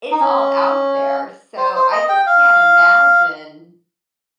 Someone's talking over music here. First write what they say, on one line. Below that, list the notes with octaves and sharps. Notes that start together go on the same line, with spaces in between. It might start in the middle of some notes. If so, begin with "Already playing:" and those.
it's all out there. So, I just can't imagine
D#4
C#4
C5
C5
D#5
G5
F5